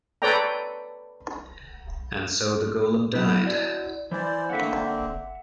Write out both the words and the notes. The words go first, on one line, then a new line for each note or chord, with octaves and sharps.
And so the golem died.
A4 B4 C#5 D5 G5 A#5
F#3 B3 E4
E4 F#4 D5
E3 E4 C5 D5 G#5
D3 A#3 C4 E5 F#5